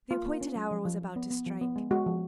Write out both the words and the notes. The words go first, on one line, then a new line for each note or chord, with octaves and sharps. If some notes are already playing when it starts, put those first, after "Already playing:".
The appointed hour was about to strike.
A#3 F4
A#3
C#4
F#3
F3
F3
F3
B3
B3
F3
B3
G#3
G#3 F#4
F3